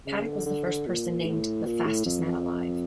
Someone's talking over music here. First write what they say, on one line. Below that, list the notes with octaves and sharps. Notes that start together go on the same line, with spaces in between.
Paddock was the first person named "The fastest man alive".
C#3
D3
D3
D3
A#2
A2
A#2
A2
F2
F2